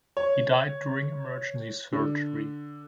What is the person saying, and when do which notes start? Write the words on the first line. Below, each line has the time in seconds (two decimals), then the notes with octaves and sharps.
He died during emergency surgery.
0.17 C#5
1.93 D3